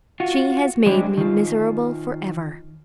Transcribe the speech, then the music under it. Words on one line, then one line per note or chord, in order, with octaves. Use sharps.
She has made me miserable forever!
F4 F#4
G3 G#3 C4 D4
D#3 F4